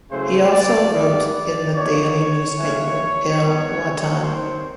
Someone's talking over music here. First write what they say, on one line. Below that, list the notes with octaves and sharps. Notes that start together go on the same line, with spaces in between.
He also wrote in the daily newspaper "El Watan".
C#3 F#3 A3 C4 E4 C5
D5
G2 E3 G3 B3 D5
F3 A#3 D#4 C#5
E3 G3 A#3
G2 D#3 G3 B3 D4
F#2 D#3 G3 C4 C5